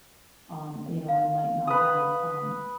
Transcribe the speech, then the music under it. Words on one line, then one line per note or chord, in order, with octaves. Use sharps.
um, you know, I might not have, um,
F5
B4 D#6